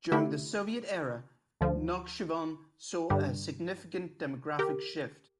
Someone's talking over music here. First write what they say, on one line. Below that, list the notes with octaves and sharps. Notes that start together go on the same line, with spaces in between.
During the Soviet era, Nakhchivan saw a significant demographic shift.
D3 A3 E4 G4
D2 D3 F3
G2 D3 G3
G4 A#4